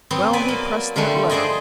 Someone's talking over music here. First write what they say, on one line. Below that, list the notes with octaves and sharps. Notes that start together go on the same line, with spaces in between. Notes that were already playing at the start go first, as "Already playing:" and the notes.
Well, he pressed that lever.
F#3 B3 C4
B4 D5 G#5
A#3
D3 F3 G3 A3
G#4 C5 D5 D#5 G#5